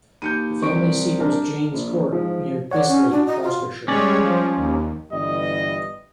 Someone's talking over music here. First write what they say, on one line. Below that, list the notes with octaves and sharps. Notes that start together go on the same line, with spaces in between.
The family seat was Jaynes Court, near Bisley, Gloucestershire.
D#2 G6 C#7 D#7
C2 C#6 D7
D4 A#4
A#1
G#2 F3
C#5 D5 F#5
C#4
D4 F#4
D#5
F4
G3 G#3 C#4 C#5 D5
F3
D#2
G1 E3 G3 D#5